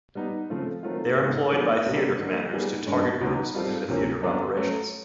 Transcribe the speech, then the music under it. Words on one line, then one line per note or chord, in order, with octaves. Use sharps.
They are employed by theater commanders to target groups within the theater of operations.
G3 B3 D#4
C#3 F3 A3 C4 F4
D#3 F#3 A3 C4 F4
G#2 D#3 G#3 B3
D#3 F#3 B3 D4 G4
C2 B2 G3 A#3 C#4
D3 G3 A#3
G3 B3 D#4 G#4
G2 D#3 G#3 C#4
C#2 B2 F#3 B3 D#4
G3 C4 F4 A4
D2 C3 F3 A#3 C#4
F#2 D3 F#3 B3 D4
F#3 A3 C#4